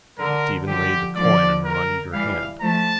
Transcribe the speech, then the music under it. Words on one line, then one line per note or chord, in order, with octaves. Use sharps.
Stephen laid the coin in her uneager hand.
D3 A#4
D3 F3 G4
D3 F3 D5
A#4
E3 G3 F5
F3 A3 A5